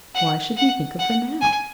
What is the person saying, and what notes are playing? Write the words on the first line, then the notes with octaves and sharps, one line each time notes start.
Why should he think of her now?
F#5
F#5
F#5
G#5